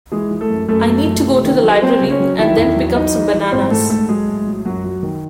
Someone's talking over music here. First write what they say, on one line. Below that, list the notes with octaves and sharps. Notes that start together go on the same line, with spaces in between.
I need to go to the library, and then pick up some bananas.
E3 G#3 G#4
E3
A3 A4
F#2
F#2 A3 A4
F#2
E3
C3
D#3
F#3
F#3 C4 C5
C#3
C#4 C#5
F#3
D#3 E4 E5
E2
F#3
E3 D#4 D#5
E3
E3
G#2 C4 C5
G#2 A3 A4
G#2 A3 A4
F#3 G#3 G#4
A2
F#3
F#2 F#3 F#4
F#3
D#3